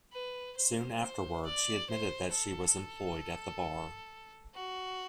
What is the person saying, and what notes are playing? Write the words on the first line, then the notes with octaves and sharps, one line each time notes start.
Soon afterward, she admitted that she was employed at the bar.
B4
C5
C5
D5
C5
A4
F#4